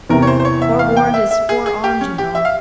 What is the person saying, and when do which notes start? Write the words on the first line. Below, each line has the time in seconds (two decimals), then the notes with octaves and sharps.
Forewarned is forearmed, you know.
0.09 E2 C3 E3 A#4
0.22 C#5
0.27 C5
0.40 C5
0.45 C#5
0.62 E5
0.79 F5
0.97 G5
1.14 E5
1.31 E5
1.49 G#4
1.66 G#4
1.84 G4
2.01 C#4
2.18 G4
2.35 E5
2.45 F5